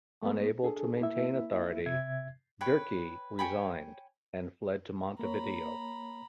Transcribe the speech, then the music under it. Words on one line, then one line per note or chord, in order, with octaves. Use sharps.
Unable to maintain authority, Derqui resigned and fled to Montevideo.
A3 B3
D4 G#4 A4
A#3 E4 E5
C3 E5 G#6
B4 C#5 G5 B5
C#5 G5 G#5 B5
A#3 C#5 A#5 B5